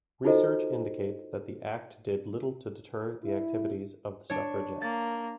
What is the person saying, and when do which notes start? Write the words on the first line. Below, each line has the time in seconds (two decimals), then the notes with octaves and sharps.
Research indicates that the Act did little to deter the activities of the suffragettes.
0.25 D#4 F4 F#4 A4 C5 D#5
3.23 E4
4.30 D4 C#5
4.82 A#3 A6